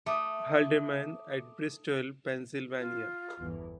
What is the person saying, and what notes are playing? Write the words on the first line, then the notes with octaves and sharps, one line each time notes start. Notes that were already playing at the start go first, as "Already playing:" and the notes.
Halderman, at Bristol, Pennsylvania.
A3 D6 D#6
F4
G1 E2 E3